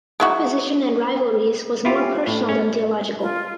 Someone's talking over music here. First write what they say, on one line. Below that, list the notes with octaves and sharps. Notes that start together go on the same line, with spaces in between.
Opposition and rivalries was more personal than theological.
G#3 E4 F#4
E4 F4 G4
A2
C#4
F4